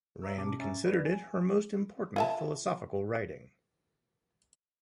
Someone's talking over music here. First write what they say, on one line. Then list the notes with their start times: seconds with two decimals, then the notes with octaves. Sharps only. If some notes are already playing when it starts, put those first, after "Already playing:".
Rand considered it her most important philosophical writing.
0.22 C#5 E5 A#5 E6
0.37 C#2 B2 C#4 G4 A5 D6
0.59 G#2 C#4 E5 G#5 A#5 A6
0.85 D#2 B4 D5
1.05 G#5
2.16 F4 E5 A5